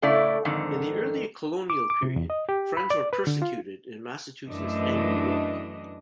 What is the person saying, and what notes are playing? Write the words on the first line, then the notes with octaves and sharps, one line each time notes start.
In the early colonial period Friends were persecuted in Massachusetts and New York.
A2 C#3 A3 E4 D5
F2 G#2 D3 D#3
D6
D6
C3
E2
D#5
G4
B5
D5
B4
D3
F4
F#2 E3 A3 D4 D#5